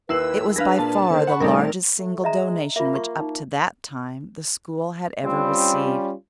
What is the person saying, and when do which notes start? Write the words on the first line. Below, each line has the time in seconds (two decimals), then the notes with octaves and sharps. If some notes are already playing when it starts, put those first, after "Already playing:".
It was by far the largest single donation which up to that time the school had ever received.
0.09 D#2 E4 B4 E6 C7 F#7
0.56 D4 G#4 B4 F5 F#6 A#6
0.79 A#2 A5
1.10 D3 A#3 C5
1.27 F#5 B5 C#6
1.40 A#1 G3 A3 C4 D#4 A#4 D5
1.98 A3
2.24 G#3 D#5 E5 A#5
2.76 A#3 F4 E5
2.95 C#6
3.18 A#3 D#4
5.24 G3 C4 C#4 F4